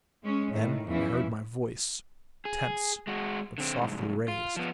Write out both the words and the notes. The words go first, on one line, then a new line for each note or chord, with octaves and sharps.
Then I heard my voice, tense but softly raised.
G#3 C#4
A2 D#3
E2 E3 F3 C#4 E4
G#4
G#3 F#4
D3 C4
C2 G#2
F4
F3 B3